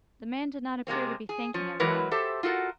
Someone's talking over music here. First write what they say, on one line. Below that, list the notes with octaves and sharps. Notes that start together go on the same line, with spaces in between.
The man did not appear to be thinking of that.
C3 G#3 A#3 C4
G#4
F3 C#4
E3 F#3 G#3 E4 A#4 B4
G4 A4 C5 E5
F4 F#4 A4 A#4